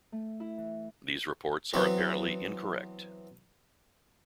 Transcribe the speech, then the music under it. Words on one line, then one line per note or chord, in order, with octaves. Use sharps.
These reports are apparently incorrect.
A3
E4
E3
E3 F#3 B3 C4